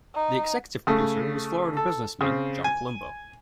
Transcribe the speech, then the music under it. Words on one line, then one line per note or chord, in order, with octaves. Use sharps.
The executive producer was Florida businessman John Palumbo.
D#4
C#3 A3
A4
C#3 C4
G#5